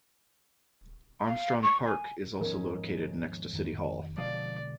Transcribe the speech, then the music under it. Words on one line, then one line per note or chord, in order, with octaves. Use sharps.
Armstrong Park is also located next to City Hall.
F5
C#6
G#5
D#2 G#2 F3 B3 C#4 A#4
F2 D#3
B2 D3 F3 G#3 D5 D#5 F5